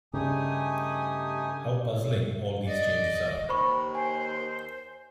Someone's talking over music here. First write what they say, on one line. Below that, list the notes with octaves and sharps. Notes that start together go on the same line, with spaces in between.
How puzzling all these changes are!
G2 C#3 A3 D#4 G4 G#5 D#6
D5 D#5
D#2 C5 B5 C#6
C5 G#5